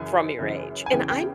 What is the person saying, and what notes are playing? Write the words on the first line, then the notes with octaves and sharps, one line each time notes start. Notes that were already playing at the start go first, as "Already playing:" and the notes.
from your age, and I'm
Already playing: F#2 C#3 E3 G#5
F#2 C#3 E3
G#5
E2 C#3 E3 G5
G5